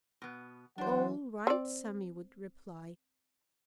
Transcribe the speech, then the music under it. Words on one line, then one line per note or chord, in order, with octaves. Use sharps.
"All right," Sammy would reply.
B2 B3
E3 F#3 D4 C5 F#5
C4 D5